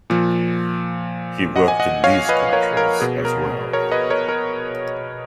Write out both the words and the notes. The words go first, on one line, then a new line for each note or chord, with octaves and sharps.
He worked in these countries as well.
A#2 F3
D#5 F#5
G#5
D#5 F#5
C#5 F5
B4 D#5
A#4 C#5
A#4
B2 G#4
A#4
A#4 C#5
B4 D#5
A#4 C#5
A#4